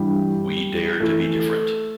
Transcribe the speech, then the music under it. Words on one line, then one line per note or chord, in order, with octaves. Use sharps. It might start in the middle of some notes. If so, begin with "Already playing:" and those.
We Dare to Be Different.
Already playing: G2 E3 G3 G4
E3 A3 A4